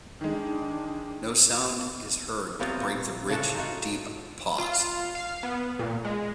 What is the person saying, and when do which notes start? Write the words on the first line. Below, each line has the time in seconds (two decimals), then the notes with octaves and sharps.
No sound is heard to break the rich, deep pause.
0.21 D#3 G#3 D4
2.59 E3 F#3 G3 B3 C4 F4
2.81 A#2
3.28 A2 C#3 F3 D4 F#4 A4
3.55 D#4 F4 F#4
4.58 F4
5.15 F5
5.43 B3
5.79 A#2
6.05 G#3